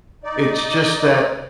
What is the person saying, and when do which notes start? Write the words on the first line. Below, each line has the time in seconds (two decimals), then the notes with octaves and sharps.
It's just that
0.24 D#4 D5